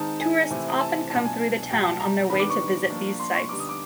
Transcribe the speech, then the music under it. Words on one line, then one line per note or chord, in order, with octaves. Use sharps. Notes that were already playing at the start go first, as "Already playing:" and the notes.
Tourists often come through the town on their way to visit these sites.
Already playing: D#3 G#3 C4 D#4 A5
G#5
C3 E3 A3 C4 E4
A5
B2 F#3 B3 D4 F4 A5
G#5
G#5
B2 F#3 A3 G5
A5
A#5
D#3 G3 B3 D4 B5
D6
C#6
F3 A#3 D4
C6
C#6
D3 G3 B3 D#4 D6
D#6
D6